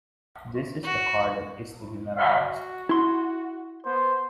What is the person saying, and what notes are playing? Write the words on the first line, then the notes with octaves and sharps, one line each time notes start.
This is the card that is to be memorized.
F#4
F#4
E4 C6
B3 C5